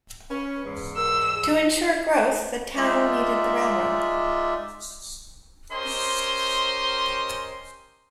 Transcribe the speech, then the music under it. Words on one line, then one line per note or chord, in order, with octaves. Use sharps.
To ensure growth the town needed the railroad.
C#4 B4
E2 G#2
A#4 E6
G#4
G#3 D#4 F4 D5 E5
C#4 G4 A#4 C5 D#5 C6